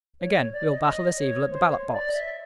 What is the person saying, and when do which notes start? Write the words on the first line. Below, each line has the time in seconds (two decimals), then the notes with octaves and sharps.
Again, we will battle this evil at the ballot-box.
0.20 C#5
0.36 C#5
0.52 D5
0.69 D#5
0.85 D#5
1.17 C#5
1.50 C5
1.71 C#5
1.92 D5
2.08 D#5
2.14 E5